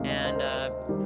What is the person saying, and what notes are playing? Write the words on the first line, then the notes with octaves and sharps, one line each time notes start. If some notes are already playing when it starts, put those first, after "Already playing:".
and, uh, m
Already playing: D2 C3 D#3 G#3 F5
D#5
C5
A#4
C5
C5
D#3 G3